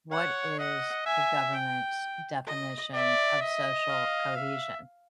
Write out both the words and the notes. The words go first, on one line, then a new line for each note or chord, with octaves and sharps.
"What is the government's definition of social cohesion?"
C#5 F#5
D#5 F#5
E5 G#5
G5
D#5
D5 E5
D#5
F5
E5